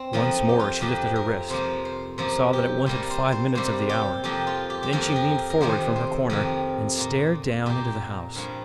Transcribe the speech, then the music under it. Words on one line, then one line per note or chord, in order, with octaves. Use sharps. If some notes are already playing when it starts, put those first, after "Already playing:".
Once more she lifted her wrist, saw that it wanted five minutes of the hour; then she leaned forward from her corner and stared down into the House.
Already playing: C4
F2 F3 A#3 D#4
D#4
G4
F4
F2 F3 A#3 G4
A#4
C3 F3 A#3 C5
C5
C3 F3 A#3 A#4
G4
C3 G3 A#3 A#4
C5
C5
C3 G3 A#3 C5
G4
F2 F3 A#3 G4
F4
G4
G4
F2 F3 A#3 A#4
G4
A#4
A#4
F2 C3 D#3 A#3 C5
C5
F2 C3 D#3 A#3 A#4
A#2 A#3
A#2 A#3 G4
G2 F3 A#3